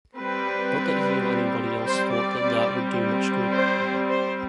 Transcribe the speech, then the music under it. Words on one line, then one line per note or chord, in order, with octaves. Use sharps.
Not that he or anybody else thought that that would do much good.
G3 C4 B4
C5
D5
G3 C4
C5
C5